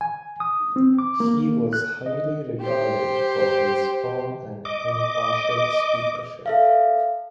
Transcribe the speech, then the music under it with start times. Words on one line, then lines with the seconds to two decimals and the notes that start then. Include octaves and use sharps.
He was highly regarded for his firm and impartial speakership.
0.01 G#5
0.40 D#6
0.76 C4
0.99 D6
1.20 A#3
1.73 F#6
2.06 D#5
2.61 G4 C5
4.65 D#5 D6
6.46 A4 E5 F5